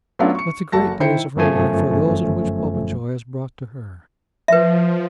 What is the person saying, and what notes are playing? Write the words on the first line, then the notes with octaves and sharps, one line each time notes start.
But the great days of her life are those in which Popenjoy is brought to her.
F#3 A3 B3 C#4 D4 F4
C#6 C#7
F#1 F#4 A4 A5 A#6
D#3 E4 C5 G5 C#7
G1 F#2 F3 A3 G#5
F3 B4 E5